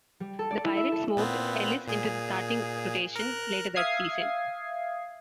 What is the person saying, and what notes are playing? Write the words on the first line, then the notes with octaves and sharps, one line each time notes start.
The Pirates moved Ellis into the starting rotation later that season.
G3
A4
D5
E4
E5
A4
A#2 B3 C4
A#2 G#4
A#4 F#6
E5 F5 D#6 G#6 C7